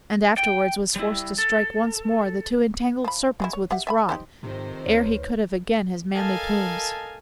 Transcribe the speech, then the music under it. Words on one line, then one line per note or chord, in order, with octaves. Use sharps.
And afterwards was forced to strike once more The two entangled serpents with his rod, Ere he could have again his manly plumes.
G5
G3 E4
A4
F3 B5
F#3 G#3 E4
C#5
G4 E5 F#5
E5 G#5 B5
D#4 G4 C5
F2 G#2 C3 D#3 C5
D2 B4 C#5
A4 A#4 D#5 F5 G#5 A5